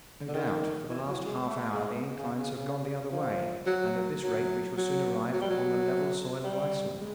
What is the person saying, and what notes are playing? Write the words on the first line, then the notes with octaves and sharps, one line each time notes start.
"No doubt, for the last half-hour the inclines have gone the other way, and at this rate we shall soon arrive upon the level soil of Iceland."
D3
D#3
E3
F#3
G#3
A3
G#3
C#3
C#3
C#3
F3
F#3
F#3
F#3
F#3
G3
F#3
G3
G#3